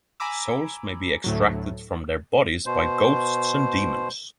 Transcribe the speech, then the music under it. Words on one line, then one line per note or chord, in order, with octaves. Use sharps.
Souls may be extracted from their bodies by ghosts and demons.
G#5 A#5 B5 D6 E6
D2 A2 F#3
B2 C5